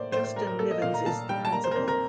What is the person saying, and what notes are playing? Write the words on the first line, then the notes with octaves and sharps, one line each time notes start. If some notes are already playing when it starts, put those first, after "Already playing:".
Justin Nivens is the Principal.
Already playing: A2 A#3 C5 D5
A2 C5
C5
G3 A#4
A#4
A#3 A4
D#5
A#2 F5
A#5
A#2 A5
G3 G5
A5
A#3 A#5
C5
A#4
F2 C5
A#4